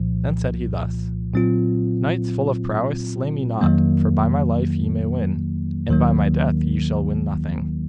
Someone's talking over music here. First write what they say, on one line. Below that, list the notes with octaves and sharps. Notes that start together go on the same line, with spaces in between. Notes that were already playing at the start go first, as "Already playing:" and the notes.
Then said he thus: Knights full of prowess, slay me not, for by my life ye may win, and by my death ye shall win nothing.
Already playing: C2 A#2 F3
A#2 F#3 C4 F4
F2 D#3 F#3 A#3
D#2 D#3 F#3 A#3